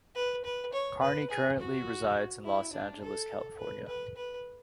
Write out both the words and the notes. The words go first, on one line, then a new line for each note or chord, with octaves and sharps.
Carney currently resides in Los Angeles, California.
B4
B4
C#5
B4
G#4
F#4
E4
D4
A4
B4
B4
B4